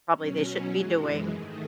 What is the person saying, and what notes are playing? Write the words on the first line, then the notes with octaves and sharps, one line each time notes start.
probably they shouldn't be doing.
B2 F#3 C#4
F#2 E3 G#3
G#2 D#3 A3